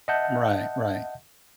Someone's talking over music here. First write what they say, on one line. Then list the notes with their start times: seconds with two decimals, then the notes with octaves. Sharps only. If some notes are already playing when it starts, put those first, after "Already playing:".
Right, right.
0.08 D#5 E5 F#5 A5 G6